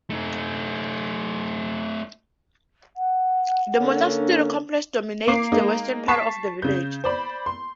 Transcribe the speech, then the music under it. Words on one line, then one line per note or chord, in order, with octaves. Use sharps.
The monastery complex dominates the western part of the village.
A3 D#4
F#5
D3 A#3 C#4
D4
A#3 D6 C7
G#3 A#3 D#4
A5 C#6 B6 C7 E7
C#3 G6
C5 D5 B5
C6